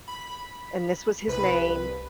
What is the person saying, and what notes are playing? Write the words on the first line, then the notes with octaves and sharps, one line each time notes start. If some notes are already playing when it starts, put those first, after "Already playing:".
and this was his name,
B5
C2 B4 B5